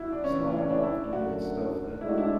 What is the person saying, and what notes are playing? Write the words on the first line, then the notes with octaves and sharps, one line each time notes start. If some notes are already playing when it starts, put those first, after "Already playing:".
slack off even if it's stuff that
Already playing: E4 F#4
D4
E2 C#3 E3 C#4
D4
C#4
D4
E4
F#2 D3 F#3 A3 F#4
A2 G#3 D4 E4
F#4
E4